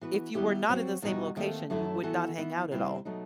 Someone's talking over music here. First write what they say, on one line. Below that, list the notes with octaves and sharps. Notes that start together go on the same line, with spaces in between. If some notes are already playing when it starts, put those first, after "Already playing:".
If you were not in the same location, you would not hang out at all.
E3 B3 F#4 B4
D#3 G3 B3 E4 G4
F#3 C4 F#4
E2 B2 G3 D#4 F#4
D#2 D#3 A3 C4
F#2 F#3 A3 E4 A4
E3 B3 F#4 A4
E3 B3 E4
C3 D#3 G3 C4 E4
B2 F#3 A3 D#4